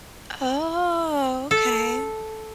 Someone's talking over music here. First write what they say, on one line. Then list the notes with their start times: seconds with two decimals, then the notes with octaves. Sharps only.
Oh, okay.
1.51 A4